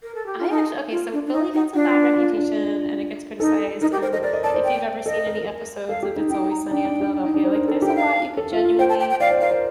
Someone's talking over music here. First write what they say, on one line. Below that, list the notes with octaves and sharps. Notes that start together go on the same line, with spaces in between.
I actually okay, so Philly gets a bad reputation and it gets criticized and if you've ever seen any episodes of It's Always Sunny in Philadelphia, like there's a lot you could genuinely
A#4
A4
G4
F4
D#4
F4
D4
D4
D#4
D#4
D4 F4
F4
D4
D#4 A4
D#4 A#4
G4
A#4 C5
A4 D#5
A#4 D5
D#5
D5 A5
C5
G5
A4 D#5
A4
A#4
A#4
A4 F5
G4
D#4
D#4 G5
A#5
D4 G5
D4
G4
D#4
D4
C5
A#4
A4
G4 G5
F5
A4
F4
F4
C5 G5
A5
G5
G5
D5 F5
C5
A#4 F5
C5